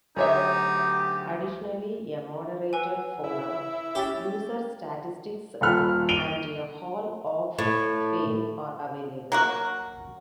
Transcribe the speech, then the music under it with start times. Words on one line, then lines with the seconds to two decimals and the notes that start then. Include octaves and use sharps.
Additionally, a moderated forum, user statistics, and a hall-of-fame are available.
0.16 D2 F#3 D#4 G4 G#4 C#5 E5
2.73 B4 F#5 G#5 E6
3.24 E4
3.95 C#4 G4 A6
5.61 D#1 A4 B5 F6
6.09 D7 D#7 F7 G7
7.59 A2
9.32 F#3 A#3 F#4